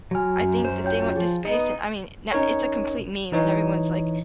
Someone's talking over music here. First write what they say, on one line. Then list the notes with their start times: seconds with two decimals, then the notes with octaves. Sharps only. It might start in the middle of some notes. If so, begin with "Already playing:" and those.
I think that they went to space and I mean, na it's a complete meme, and everyone's like
0.11 F#3 F#4 G#5 F6
0.36 F#2
0.65 C5
0.84 F4 C#5 G5 G6
1.16 F3 G#4
1.45 B3 D#4 D#5
2.32 C#4 D#4 A#4 C#5
3.32 E3 D#4 C#5